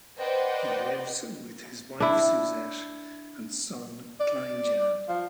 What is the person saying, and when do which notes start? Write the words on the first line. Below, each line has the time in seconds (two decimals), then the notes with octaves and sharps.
He lives with his wife Suzette and son Klein Jan.
0.19 B4 C5 D5 D#5 F#5 G5
2.00 D4 E4
4.20 D5
5.09 F3